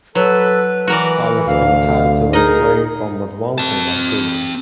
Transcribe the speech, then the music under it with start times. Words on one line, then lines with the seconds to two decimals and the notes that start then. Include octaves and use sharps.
I was compelled to refrain from advancing my troops.
0.15 F#3 A4 B4
0.87 E3 F#4 A#4 D5
1.47 D2 F5
2.33 D#4 G#4 A#4 D#5
3.58 C4 A5